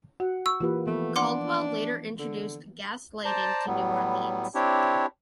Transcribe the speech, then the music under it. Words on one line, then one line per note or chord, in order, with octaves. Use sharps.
Caldwell later introduced gas lighting to New Orleans.
F#4 F#5
C#6 E6
E3 A#3 F4 G4 B4
F3 A3 B3
D4 F#5 C6 D6
D3
C5 D5 A5 A#5
A2 F#3 G3 B3
C4 D4 E4 G4 C#5